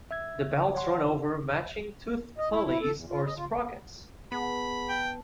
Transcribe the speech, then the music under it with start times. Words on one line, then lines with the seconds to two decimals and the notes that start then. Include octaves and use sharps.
The belts run over matching toothed pulleys or sprockets.
0.11 E5 E6 G#6
0.75 C#5 F#5 C6
2.38 D#5
2.51 E4
2.64 E4
2.80 A4
2.94 E2
3.10 F4
3.25 D#5
3.36 F4
4.32 B3 G#4 F#5 A5 B5
4.89 G5 A5